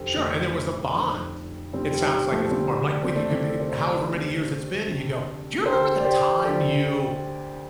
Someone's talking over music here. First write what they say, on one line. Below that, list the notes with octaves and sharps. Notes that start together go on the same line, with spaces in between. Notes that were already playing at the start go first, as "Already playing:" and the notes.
Sure and there was a bond, it sounds like it's formed. Like, when you could be if however many years it's been, and you go, "Do you remember the time you"
Already playing: F1 F2 D3 G4 A4 C5
F1 F2 D3 A3 D4
F1 F2 D3
F1 F2 D3 G3 C4
G3
G3
F3 A3
D2 C3 G3 C4
D4
C4
A3 D4
D2 C3 A4 D5
A4
C5
A4 D5
D2 C3
D2 C3
A4
D2 D3 G4 C5
D5
G4 C5
D2 D3 A4 D5